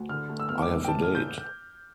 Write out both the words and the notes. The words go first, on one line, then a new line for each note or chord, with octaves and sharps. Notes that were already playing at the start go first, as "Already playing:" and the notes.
I have a date.
Already playing: D2
D3 F6
A3
E6
E2 F6
D6
E1
G5
A2 A5
F6
G6